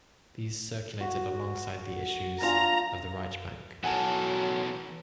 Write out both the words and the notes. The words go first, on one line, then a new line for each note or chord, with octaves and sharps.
These circulated alongside the issues of the Reichsbank.
F#4
D4 F4 G#5 A#5
B2 E3 F#3 A4 A#4 F#5 G#5 A5